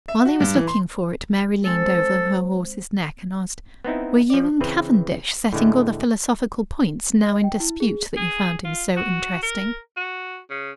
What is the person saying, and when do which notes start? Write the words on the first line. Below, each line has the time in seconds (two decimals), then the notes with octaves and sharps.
While he was looking for it Mary leaned over her horse's neck and asked: "Were you and Cavendish settling all the philosophical points now in dispute, that you found him so interesting?"
0.08 E5
0.25 F#4
0.40 G2
0.55 E3
0.68 C6
1.65 G#3 C4 A4
3.85 B3 C4 D#4 E4
4.30 F3 D5
4.61 C#3 E3 C4 B4
5.53 A2 D3 G#3 A3
7.23 D#5
7.44 G5
7.60 E4
7.80 G#4
8.17 G#4
8.65 F4
8.97 F#4
9.42 A#4
9.97 F#4
10.50 C#3